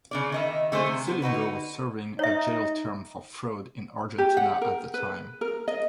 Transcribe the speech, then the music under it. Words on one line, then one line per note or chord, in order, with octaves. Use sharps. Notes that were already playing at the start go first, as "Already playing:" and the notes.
Scilingo was serving a jail term for fraud in Argentina at the time.
C#3 D4 D5
D#3 D#5 E5
D3 A3 G#4 C5
C3
B3 C5
D3 D#4 F#4 B4
D#4 C#5 E5
G4
F#5
A#4
B4
A#4
D#5